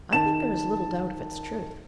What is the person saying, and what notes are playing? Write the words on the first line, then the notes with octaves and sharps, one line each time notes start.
I think there is little doubt of its truth.
D#3 A5 E7